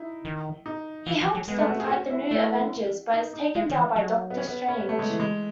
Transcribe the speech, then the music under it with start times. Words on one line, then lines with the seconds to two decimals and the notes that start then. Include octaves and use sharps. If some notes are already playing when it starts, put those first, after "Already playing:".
He helps them fight the New Avengers, but is taken down by Doctor Strange.
Already playing: D#4 E4
0.25 D#3
0.66 D#4
1.06 E3
1.21 E3
1.35 F#3
1.48 G#3 B3
1.58 A3
1.69 F#4
1.80 G#4
1.90 F#4
2.10 E4
2.31 A3 E4
3.13 D#4
3.34 D#4
3.55 G#3
3.70 D#3
3.76 E3
3.96 F#3
4.30 B3
4.38 C#4
4.47 B3
4.68 C#4
4.79 B3
4.89 A3
4.99 G#3
5.10 E3
5.20 G#3